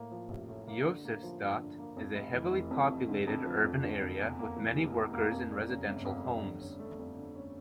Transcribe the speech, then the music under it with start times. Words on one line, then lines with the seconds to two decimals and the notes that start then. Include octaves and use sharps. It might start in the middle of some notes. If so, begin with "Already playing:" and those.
Josefstadt is a heavily populated urban area with many workers and residential homes.
Already playing: A2 A#3
0.11 F3
0.29 A1
0.49 A2
0.68 A#3
0.85 D3
1.05 A#3
1.23 F3
1.41 G2
1.60 D3
1.79 A#3
1.97 F2
2.15 F1
2.34 E3
2.52 F1
2.71 F2
2.90 F1
3.08 D3
3.27 F2
3.45 F3
3.64 F2
3.82 D3
4.02 F2
4.19 E2
4.39 A#3
4.56 E3
4.76 F1
4.94 E2
5.13 A#3
5.31 F2
5.50 G3
5.69 C#3
5.88 G1
6.05 F2
6.24 G3
6.43 D3
6.61 C#4
6.79 A3
6.99 F2
7.17 D3
7.35 C#4